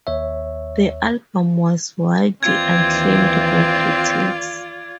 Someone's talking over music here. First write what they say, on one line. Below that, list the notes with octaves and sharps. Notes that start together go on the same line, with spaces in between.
The album was widely acclaimed by critics.
D#2 C#5 E5
D#2 E3 C4 F4 D5 G#6